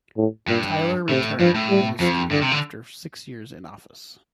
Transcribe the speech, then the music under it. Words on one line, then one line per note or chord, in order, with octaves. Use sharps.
Tyler returned to the ministry after six years in office.
A2
G2 A#2
A2 C3
G2 F3
A2
G3
F2 F3
G2 D3
C3
D3